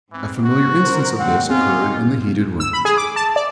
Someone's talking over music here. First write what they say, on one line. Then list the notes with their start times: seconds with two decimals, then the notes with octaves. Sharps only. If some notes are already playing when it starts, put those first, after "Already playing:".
A familiar instance of this occurred in the heated room.
0.12 G#2 E3 C4
0.43 F#4
0.83 D3 A#4 C5
1.19 D#2 G#2 D3 C4 F#5
1.50 B2 C4 D#4 F4 G#4 G#5
2.60 E6
2.73 B5
2.85 G#4
2.98 D6
3.16 A5
3.36 D5